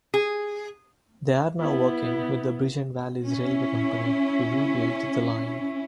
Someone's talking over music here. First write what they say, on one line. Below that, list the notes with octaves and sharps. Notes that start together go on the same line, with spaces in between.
They are now working with the Bridgend Valleys Railway Company to rebuild the line.
G#4
B3 E4
C#4 E4